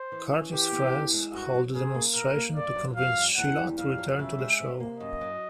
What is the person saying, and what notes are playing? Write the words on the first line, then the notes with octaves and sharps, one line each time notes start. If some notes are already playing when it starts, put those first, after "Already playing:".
Curtis' friends hold a demonstration to convince Sheila to return to the show.
Already playing: C5
E3
C#4
E3 G4
B3
E2
G#3
G2 F#4
F#3
C#3 G#4
A#3
B2 A#4
A#3
G2 D5
F#3
F2 F5
G3
E2 F#5
G3
F2 F5
F#3
C#3 E5
G#3
C3
A#3
F#2 D#5
F#3